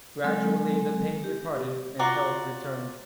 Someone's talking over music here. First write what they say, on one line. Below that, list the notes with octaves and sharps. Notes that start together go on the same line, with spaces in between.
Gradually the pain departed and health returned.
F#3 G#3 C4 A4
G4
F4 F#4 D5 A#5